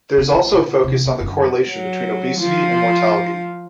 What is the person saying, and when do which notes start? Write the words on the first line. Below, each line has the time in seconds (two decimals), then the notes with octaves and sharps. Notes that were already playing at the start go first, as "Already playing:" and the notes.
There is also a focus on the correlation between obesity and mortality.
0.18 C#3
0.32 A1
0.53 A#2
0.84 C3 E3
1.06 D#3
1.20 F#2 D3
1.68 F#3
2.40 F3